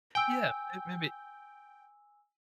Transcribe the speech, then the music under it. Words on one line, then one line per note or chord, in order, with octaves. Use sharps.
yeah, may maybe
G5 G#5 E6